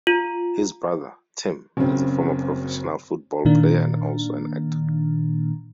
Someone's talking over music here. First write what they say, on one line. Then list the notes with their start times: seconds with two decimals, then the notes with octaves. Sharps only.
His brother, Tim, is a former professional football player and also an actor.
0.07 F4
1.77 F#1 F#2 C#3 C4
3.45 A#2 D#3 A#3 D4